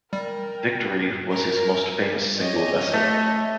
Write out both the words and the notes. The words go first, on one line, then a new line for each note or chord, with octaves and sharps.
"Victory" was his most famous single vessel.
G3 A#4 G5
A#4
G4 C#5 D#5
A3